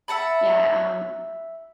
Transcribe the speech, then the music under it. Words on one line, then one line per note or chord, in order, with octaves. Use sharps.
yeah, um
E5 F#5 A5 B5